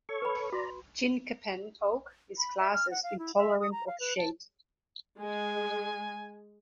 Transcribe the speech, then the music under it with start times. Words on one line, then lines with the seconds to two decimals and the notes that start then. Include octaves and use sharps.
Chinkapin oak is classed as intolerant of shade.
0.09 A4 C#5 C#6
0.22 B4 B5
0.53 F#4 D5 A#5
2.38 B5
2.58 E5
2.74 F6
2.91 F#5
3.03 F5
3.19 E4
3.38 E5
3.60 D#6
3.72 A#5
3.87 F5
4.00 B4
4.18 A5
5.20 G#3 G#5